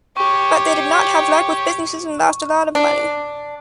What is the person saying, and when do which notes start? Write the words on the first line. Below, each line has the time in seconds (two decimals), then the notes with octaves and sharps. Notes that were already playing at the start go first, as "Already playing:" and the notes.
But they did not have luck with businesses and lost a lot of money.
0.17 G4 C#5 C#6
2.75 D4